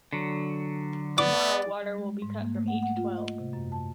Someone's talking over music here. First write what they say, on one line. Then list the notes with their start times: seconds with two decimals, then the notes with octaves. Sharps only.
Tomorrow water will be cut from eight to twelve.
0.13 D3 F#3
1.18 B3 D5 D6
1.82 G3
1.98 G#3
2.22 G#2
2.40 A#3
2.55 A3
2.68 F#5
2.83 F#5
2.97 F4
3.17 D#5
3.38 C3
3.53 F#2
3.72 A5